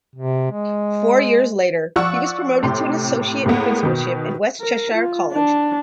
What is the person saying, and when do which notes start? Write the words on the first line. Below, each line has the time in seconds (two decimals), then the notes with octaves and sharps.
Four years later, he was promoted to an associate principalship at West Cheshire College.
0.16 C3
0.51 G#3
1.96 F3 D5 F#5 C#6 E6
2.63 A2 C3 C6
3.46 A2 G#3 A#3 B3
3.83 B2 D#3
4.60 A#4
4.95 F4
5.33 D4